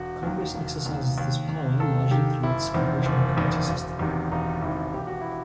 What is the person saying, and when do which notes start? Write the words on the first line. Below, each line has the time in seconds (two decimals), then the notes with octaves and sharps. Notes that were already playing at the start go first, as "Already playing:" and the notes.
Congress exercises this power largely through its congressional committee system.
Already playing: E1 F#4
0.23 D#2 D#3
0.55 E1
0.86 D#2 D#3
1.18 D#2
1.48 D#3
1.80 D#2 A4
2.11 D#3 G4
2.43 F#1 E4
2.74 E2 D#3 C4
3.06 F#1
3.37 E2 D#3
3.68 E1
3.99 E2 C3 D#3
4.32 E1 D#4
4.62 E2 C3 D#3 E4
4.94 E1 G4
5.07 F#4
5.21 E4